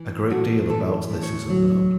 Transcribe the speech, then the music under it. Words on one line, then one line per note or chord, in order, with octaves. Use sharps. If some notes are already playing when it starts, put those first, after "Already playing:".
A great deal about this is unknown.
Already playing: E3
A2 F#4
E3 A4
A2
C#5
F#3